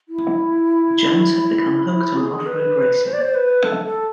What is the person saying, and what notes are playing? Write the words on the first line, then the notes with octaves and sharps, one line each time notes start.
Jones had become hooked on off-road racing.
E4
E4
G#4
B4
C5
D5
C5
B4
A4
A4